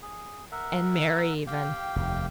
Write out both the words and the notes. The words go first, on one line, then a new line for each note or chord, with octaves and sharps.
And Mary even.
G#4
A#4 E5 F#5
G4 F5 G5
F1 D#2